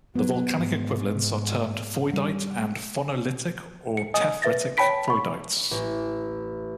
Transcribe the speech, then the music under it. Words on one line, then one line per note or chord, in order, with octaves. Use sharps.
The volcanic equivalents are termed "foidite" and "phonolitic or tephritic foidites".
F#3 B3
G#2
G3
C#7
D#5 G#5 D#6
B4 E5 A6 A#6
C#5 G5 A5 B5 B6 D7
B5 C#6
A1